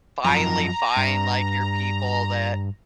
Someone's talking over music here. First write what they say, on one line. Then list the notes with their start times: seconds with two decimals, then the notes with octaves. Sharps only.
finally find, like, your people that
0.24 F#2 F3 A#5
0.97 G2